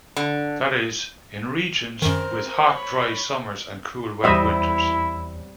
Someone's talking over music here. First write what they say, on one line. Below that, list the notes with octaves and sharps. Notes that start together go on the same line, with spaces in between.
That is, in regions with hot dry summers and cool wet winters.
D3
F#2 D#3 C4 A#4
C#5 B5
E2 G3 C4 E4 C#5 D#5 E5